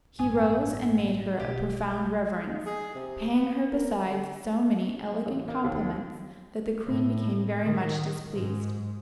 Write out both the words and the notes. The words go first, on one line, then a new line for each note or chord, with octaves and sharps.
He rose, and made her a profound reverence, paying her besides so many elegant compliments, that the queen became very much displeased.
A1 G2 G#5 D#6
B1 B2 G4
D#4
G#4
C3
B3
A#4
D3
A1
A#3
D#2
A2
D#3
G#2